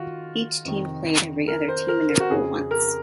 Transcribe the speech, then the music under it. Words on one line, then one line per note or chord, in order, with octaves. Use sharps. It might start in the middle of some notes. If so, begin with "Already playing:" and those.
Each team played every other team in their pool once.
Already playing: D#3 F4 F#4
F2 C3 D#3
A#4
C5
A#4
A#4
F#4
F2 C#3 G#4
A#4